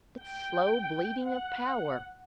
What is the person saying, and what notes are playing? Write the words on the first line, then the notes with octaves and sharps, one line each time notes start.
It's slow bleeding of power.'
G5
F#5